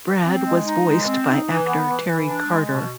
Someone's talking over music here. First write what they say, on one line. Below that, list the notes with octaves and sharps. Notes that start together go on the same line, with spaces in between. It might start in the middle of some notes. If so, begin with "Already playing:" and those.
Brad was voiced by actor Terry Carter.
C4
G#3
D#4
G#3
C4
D#4
E3
B3
E3
E3
D4
G#3
B2